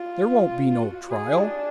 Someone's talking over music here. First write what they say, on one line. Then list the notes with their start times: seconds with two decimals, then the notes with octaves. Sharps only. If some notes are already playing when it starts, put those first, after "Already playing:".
There won't be no trial.
Already playing: F4
0.82 F#4
1.11 G#4
1.39 D4